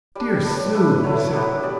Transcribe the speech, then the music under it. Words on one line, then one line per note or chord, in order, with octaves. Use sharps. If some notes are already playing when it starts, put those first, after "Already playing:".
"Dear Sue!" he said.
G3 D4 D5
G3 D4 B4
C#5
B4
A3 D4 A4
B4
F#3 A3 E4 C#5
F#3 B3 D4
G3 D5